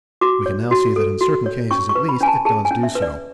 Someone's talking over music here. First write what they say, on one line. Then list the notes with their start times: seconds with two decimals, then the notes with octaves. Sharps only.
We can now see that in certain cases, at least, it does do so.
0.21 F#4 D6
0.46 C#5
0.71 F#4
0.96 A4
1.21 F#4
1.46 C#5
1.71 C#4 C#6
1.89 C#6
1.95 B4
2.09 B5
2.21 C#4 G#5
2.28 A5
2.45 G#4 A5
2.65 G#5
2.71 C#4
2.83 E5
2.95 B4
3.02 D5